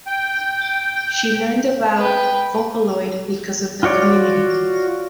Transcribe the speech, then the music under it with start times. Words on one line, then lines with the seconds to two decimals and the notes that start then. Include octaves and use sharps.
She learned about Vocaloid because of the community.
0.07 G5
1.97 B4 G5
3.83 F4 F#4 C#5 D5